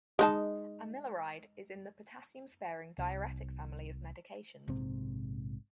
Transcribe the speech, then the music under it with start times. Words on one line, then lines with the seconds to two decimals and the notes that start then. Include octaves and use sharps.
Amiloride is in the potassium-sparing diuretic family of medications.
0.19 G#3 D#4 A5
2.98 C2
4.68 A#1 G#2 C3 C4